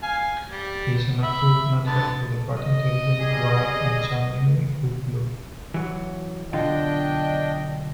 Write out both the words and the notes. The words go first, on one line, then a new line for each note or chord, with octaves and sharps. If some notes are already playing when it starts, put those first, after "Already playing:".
He's an absolute natural for the part-intelligent, wry, and charmingly good looking.
F5 G#5
G3
E5 B5
D3 B3 A5
D#5
G3 G#4
E3 F#3
B1 D3 D4 F4 D#5 G5